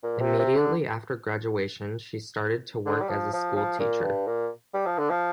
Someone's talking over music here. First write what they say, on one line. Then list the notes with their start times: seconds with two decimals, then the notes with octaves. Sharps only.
Immediately after graduation, she started to work as a school teacher.
0.03 A#2
0.21 C3
0.39 C3
0.57 D3
2.86 D3
3.01 G3
3.09 F3
3.33 F3
3.56 F3
3.80 A#2
4.04 G2
4.27 A#2
4.74 G3
4.86 F3
4.98 D3
5.10 F3